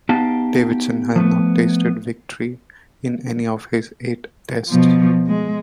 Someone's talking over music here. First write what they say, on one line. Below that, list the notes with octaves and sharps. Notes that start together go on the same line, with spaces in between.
Davidson had not tasted victory in any of his eight Tests.
B3 D#4 F#4 G4 F5 A5
F3 A3 B3
B2 F3
G#3